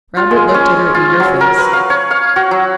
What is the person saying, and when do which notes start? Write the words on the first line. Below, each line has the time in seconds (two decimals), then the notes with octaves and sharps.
Robert looked at her eager face.
0.17 F4
0.31 G#3
0.54 C#4
0.94 F4
1.20 F#3
1.41 A#4
1.58 B4
1.73 F5
1.90 C#5
2.11 F5
2.36 F#4
2.51 F#3